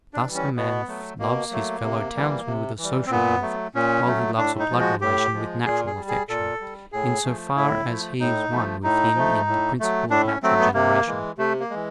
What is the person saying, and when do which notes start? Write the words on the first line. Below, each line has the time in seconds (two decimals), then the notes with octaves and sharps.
Thus a man loves his fellow townsman with a social love, while he loves a blood relation with natural affection, in so far as he is one with him in the principle of natural generation.
0.14 D4
0.24 E3 G3
0.34 C#4
0.56 B2 B3
0.88 F#3 A3
1.19 B2 A#3
1.52 F#3 A3
1.83 C3
2.16 E3 G3
2.47 C3
2.78 E3
2.84 G3
3.06 C4
3.10 A#2 B3
3.42 F#3 A3
3.75 A#2 C#4
4.06 F#3 A3
4.38 A2 D4
4.59 D#4
4.70 F3 G#3
4.80 F#4
5.01 A2 G4
5.34 F3 G#3
5.66 A#2 G#4
5.87 G#4
5.97 G3
6.08 G#4
6.29 A#2 A4
6.60 G3
6.92 A2 G#4
7.24 F3 A3
7.56 A2 E4
7.88 F3 A3
8.20 A2 D#4
8.51 F3 A3
8.83 A2 D#4
9.16 F3 A3
9.48 A2
9.80 F#3 A3
10.10 A2 D4
10.27 C#4
10.43 F#3 A3 C4
10.59 B3
10.74 C3 A#3
11.07 E3 G#3
11.38 C3 A3
11.60 A#3
11.70 E3 G#3